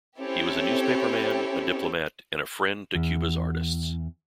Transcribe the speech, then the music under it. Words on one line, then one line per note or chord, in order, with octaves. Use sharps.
He was a newspaperman, a diplomat, and a friend to Cuba's artists.
C4 C#4 E4 G4 A4 C#5
E2